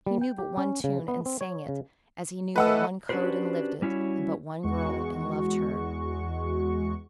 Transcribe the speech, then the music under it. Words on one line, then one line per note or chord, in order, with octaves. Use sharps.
He knew but one tune and sang it, as he knew but one code and lived it, and but one girl and loved her.
G3
G5
G4
C#4
C#3
B3
C4
C#5
C#3
E3 A3 A4 B4 D#5 F#5 E6
C#4 D4 F#4 G4 B4 C5
G3 C#4 E4 F#4 C#5
E2 G#3 F#4 C#6